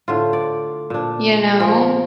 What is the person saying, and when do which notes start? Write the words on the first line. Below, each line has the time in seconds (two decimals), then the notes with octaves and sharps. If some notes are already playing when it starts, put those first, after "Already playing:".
You know?
0.08 A2 D3 F4
0.33 D5
0.90 A#2 D4
1.60 F3 A#4